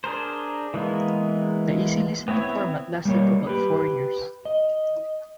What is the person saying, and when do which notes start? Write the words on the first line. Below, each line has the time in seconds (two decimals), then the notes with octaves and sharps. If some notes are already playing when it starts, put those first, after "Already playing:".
The easy listening format lasted about four years.
0.04 D4 G#4 A#4 C5
0.74 E3 G#3 A#3 B3
2.28 B3 C4 E4 C#5
3.05 G3 A#3 C#5
3.47 G4 B4
4.45 D#5